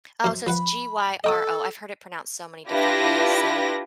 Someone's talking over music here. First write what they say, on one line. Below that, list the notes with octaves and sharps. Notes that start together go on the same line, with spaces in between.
Oh, so it's G-Y-R-O. I've heard it pronounced so many different ways, so,
F#2 C5
F3 B4 F#5 B5
A4 D#5 G5 D#6
D4 E4 F4 G4 B4 A#6